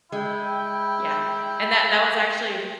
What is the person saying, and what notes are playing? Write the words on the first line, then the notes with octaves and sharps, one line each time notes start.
Yeah, and that that was actually
G3 G#3 E4 G5